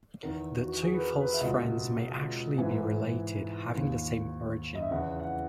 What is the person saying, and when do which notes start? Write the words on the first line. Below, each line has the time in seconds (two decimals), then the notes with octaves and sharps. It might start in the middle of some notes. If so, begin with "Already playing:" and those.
The two "false friends" may actually be related, having the same origin.
0.23 E2 D#3 A#4
0.62 F#4
0.82 G#4
0.93 B4
1.02 A#4
1.20 B4
1.33 E5
1.40 C#2 B2 D#5
2.56 G#2 E3 G#5
3.74 D#2 D#3
4.75 D#5
4.82 E5
4.91 E2 C#3 E3 F#5
5.19 F#5